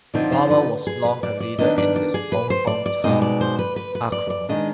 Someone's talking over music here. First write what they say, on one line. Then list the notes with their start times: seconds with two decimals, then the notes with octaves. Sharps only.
Barber was long a leader in his own home town, Akron.
0.14 D3 F3 C4 D#4 D5
0.32 C5
0.50 B4
0.87 G#4
1.05 B4
1.23 D5
1.40 D5
1.59 D#3 B3 D4 D#5
1.78 D5
1.96 D5
2.14 G#4
2.32 B4
2.50 C5
2.67 D5
2.86 D5
3.04 B2 G#3 C4 D#4 D#5
3.22 D5
3.41 C5
3.59 B4
3.76 B4
3.95 B4
4.12 D5
4.30 D5
4.49 D#3 G#3 D4 D#5